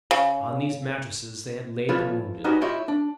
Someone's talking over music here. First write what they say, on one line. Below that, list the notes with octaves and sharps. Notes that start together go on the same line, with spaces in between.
On these mattresses they had laid the wounded.
C#3
F3 E4 F4 A4 B4 C#5
C#4 D#4 F#4 G4 B4 D5
E4 F4 G4 C#5 D#5 E5
D4